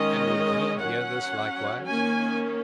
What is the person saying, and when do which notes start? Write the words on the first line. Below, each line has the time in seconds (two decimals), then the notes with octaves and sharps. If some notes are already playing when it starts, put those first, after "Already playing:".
And would ye hear this likewise?
Already playing: D#3 G#3 C#4 D#5
0.81 F#3 C#4 F#5
1.86 D#3 A#3 C#4 G#5